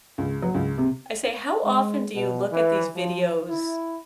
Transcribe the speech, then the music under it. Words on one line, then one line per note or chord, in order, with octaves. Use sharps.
I say, "How often do you look at these videos
C#2
F#3
C#2
C3
G#3
B2
E3
F3
E4